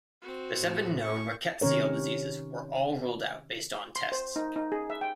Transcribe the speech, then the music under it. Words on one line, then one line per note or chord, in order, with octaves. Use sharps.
The seven known rickettsial diseases were all ruled out based on tests.
C4 F#4
A2
C#4 C#6
C3 D#3 C#4 A#4 C#5
C6
C5
D#4
D#4
G#4
E5
G5